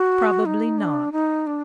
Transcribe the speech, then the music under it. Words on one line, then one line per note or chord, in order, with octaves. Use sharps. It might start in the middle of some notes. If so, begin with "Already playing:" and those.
Probably not.
Already playing: F#4
D#4
D4
D#4
D4